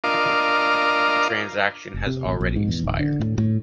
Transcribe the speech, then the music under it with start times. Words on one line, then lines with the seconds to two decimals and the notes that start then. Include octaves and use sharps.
Transaction has already expired.
0.04 D4 F4 A#4 D#5 F5 D6
1.94 F1
2.07 C3
2.25 A1
2.41 A#1
2.56 G#2
2.68 E2
2.84 D1
2.99 D3
3.20 A2
3.38 A2